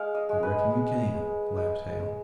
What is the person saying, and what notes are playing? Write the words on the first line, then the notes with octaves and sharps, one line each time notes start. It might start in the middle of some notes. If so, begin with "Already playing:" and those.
"I reckon you can," laughed Hale.
Already playing: G#3 F5
D#5
G#3
B4
G#3
G#3
G#3
G#3